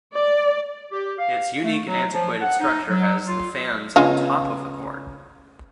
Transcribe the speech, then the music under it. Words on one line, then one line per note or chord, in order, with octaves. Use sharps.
Its unique and antiquated structure has the fans on top of the court.
D5
G4
F5
A3
F#3
F3
F#5
D#4
F#3
F4
C#3 G#3 B3 C#4 F4 F5